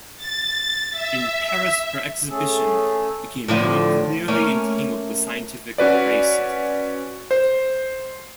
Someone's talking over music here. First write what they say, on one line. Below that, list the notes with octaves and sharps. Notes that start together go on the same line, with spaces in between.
In Paris, her exhibition became more clearly entangled with scientific racism.
A6
E5
A3 C#4 G#4 A4
A2 D3 F3
A3 A#3 C#4
C#4 F#4 B4 D5
C5